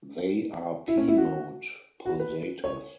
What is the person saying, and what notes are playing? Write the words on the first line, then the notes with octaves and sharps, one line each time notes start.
They are p-mode pulsators.
E4
C#4
E4
F#4
F#4
B4
C#5